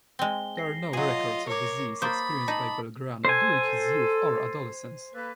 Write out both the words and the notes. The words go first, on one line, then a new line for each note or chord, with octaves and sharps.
There are no records of diseases experienced by Belgrano during his youth or adolescence.
G#3 C4 G7
A#6 C7
F#3 F4 G#4 D#5
A#4 C#5 C#6 D6
A#3 C5 B5 D#6 A6
D#4 A5 F#7
A4 C5 G#5
A#3 A4 B4